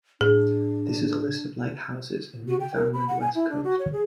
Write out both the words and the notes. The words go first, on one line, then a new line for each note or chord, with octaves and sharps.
This is a list of lighthouses in Newfoundland West Coast.
A2 D4 G#4
F#4
G5
A#4
B5
F#5
G#5
E4
D4
F#4
C#5
G#4